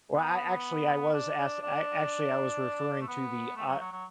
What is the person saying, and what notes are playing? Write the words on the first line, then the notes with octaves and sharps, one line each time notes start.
Well, I actually, I was ask I actually, I was referring to the a
B3
D4
D4
A3
B3
A3
F#3
F#3
F#3